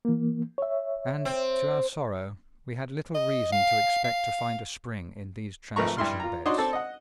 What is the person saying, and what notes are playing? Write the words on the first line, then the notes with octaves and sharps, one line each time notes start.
And, to our sorrow, we had little reason to expect to find a spring in these transition beds.
E3 A#3
C#5 E5
C4
D#5
F5
F5
G#1 F3 A3 B4 A#5 C#6
G2 E4 C6 F6
F4 A#5
D4 D#4 F#4 C#5 D#5 C6
C4 A4 D5 A5
D#5 F#5